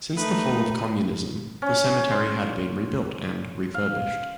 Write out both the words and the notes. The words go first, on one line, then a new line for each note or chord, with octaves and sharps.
Since the fall of communism, the cemetery had been rebuilt and refurbished.
A3 D#4 B4
C#4
C6
F5